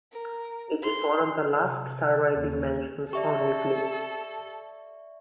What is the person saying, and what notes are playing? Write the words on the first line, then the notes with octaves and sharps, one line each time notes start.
It is one of the last surviving mansions on Euclid.
A#4
C6
C3
D#2 C#4
G4 A4 D5 E5 C#6